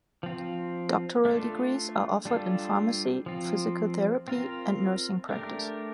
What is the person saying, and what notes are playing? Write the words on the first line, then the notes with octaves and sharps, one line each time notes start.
Doctoral degrees are offered in pharmacy, physical therapy, and nursing practice.
F3 C4 F4
A3 D4 F4 A4
G3 D4 F4 A4
F3 C4 F4
C4 F4 A#4
A3 D4 G4 A#4